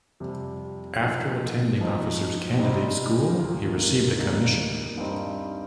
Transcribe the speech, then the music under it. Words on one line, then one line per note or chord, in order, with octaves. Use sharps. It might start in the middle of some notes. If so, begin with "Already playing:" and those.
After attending Officer's Candidate School he received a commission.
F2 C3 G3
A#2 F3 D#4
F2 F3 D#4
C3 G3 C4 D#4
D#2 D#3 A#3 F4
D#2 D#3 G3 A#3 D#4
G2 G3 C4 D#4